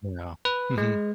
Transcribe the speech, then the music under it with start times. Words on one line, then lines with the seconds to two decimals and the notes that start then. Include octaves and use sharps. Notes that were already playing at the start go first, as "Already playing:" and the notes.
Yeah. Mhm.
0.45 B4
0.78 G#3